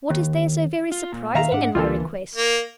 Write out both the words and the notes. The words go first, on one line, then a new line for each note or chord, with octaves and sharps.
"What is there so very surprising in my request?"
D#2
F4
A#2
D#3 E5 F5 A#5
G#2 D4 F#5
C#2 D3 E3 A#3 F4 A4
A#3